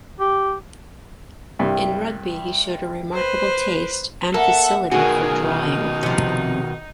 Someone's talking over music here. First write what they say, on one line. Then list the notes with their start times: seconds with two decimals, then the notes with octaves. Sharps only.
In Rugby he showed "a remarkable taste and facility for drawing".
0.20 G4
1.59 C2 G2
3.14 B4 C5
4.34 A#3 A4 E5 F#5
4.91 B2 D#3 F#4 G#4 A#4
5.43 D#4
6.03 C3 F3